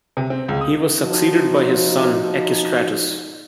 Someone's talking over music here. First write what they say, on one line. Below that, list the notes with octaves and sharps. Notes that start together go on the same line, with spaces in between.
He was succeeded by his son Echestratus.
C3
C4
C#2
D#6
F3 D#4 F#4